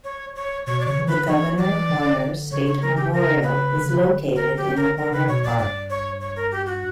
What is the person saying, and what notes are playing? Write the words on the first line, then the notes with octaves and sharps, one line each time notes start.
The Governor Horner State Memorial is located in Horner Park.
C#5
C#5
B2 C#5
D5
C#3 C#5
E3
D3 B4
E3 C#5
D5
D3
C#3 C#5
C#5
A#4
G4
A#4
B4
D3
C#3
D3
A#4
G4
A#4
A#4
C#3 B4
B2 C#5
A#2 D5
G2 D5
C#5
C#5
A#4
G4
F#4